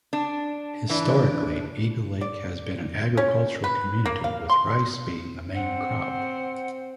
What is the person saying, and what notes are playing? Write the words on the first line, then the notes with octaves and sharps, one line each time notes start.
Historically, Eagle Lake has been an agricultural community, with rice being the main crop.
D4
E3 D4
D5
C#4
B4
A#3
F5
C6
C4 F#5